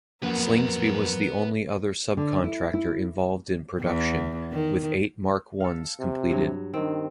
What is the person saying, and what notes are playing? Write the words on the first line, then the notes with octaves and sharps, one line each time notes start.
Slingsby was the only other sub-contractor involved in production with eight Mark Is completed.
F2 F#3 A#3 A#4 B4 F#5
D3
E4
E4
E2
D#3
A4 F5
C3
G2 F#3
G2 D#3 C4